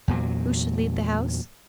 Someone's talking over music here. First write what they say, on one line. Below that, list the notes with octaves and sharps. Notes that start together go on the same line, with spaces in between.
Who should lead the House?
E2 A#2 F#3